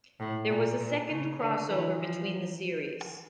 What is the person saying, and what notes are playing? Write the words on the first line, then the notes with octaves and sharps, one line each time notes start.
There was a second "crossover" between the series.
A2
A#2
A#2
C#3
D3
E3
F3